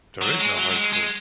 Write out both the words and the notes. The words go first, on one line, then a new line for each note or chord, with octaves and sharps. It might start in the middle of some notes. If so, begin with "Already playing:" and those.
There is no high school.
F#3
G#3
F#3
F#3
G#3
G#3